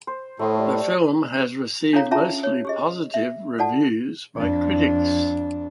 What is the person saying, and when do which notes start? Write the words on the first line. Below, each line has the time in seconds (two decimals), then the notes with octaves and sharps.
The film has received mostly positive reviews by critics.
0.07 C5
0.39 A2 A3 C5 D#6
0.55 G3 A3
1.93 D4 E4 A4 C#5 F5 A#5
2.11 C#4 F4 G#4 E5 A5 A#5
2.43 C#5
2.65 G4 G#4 D#5
3.14 E5
3.58 F4 A4 D5 F#5 A5
4.35 F2 D4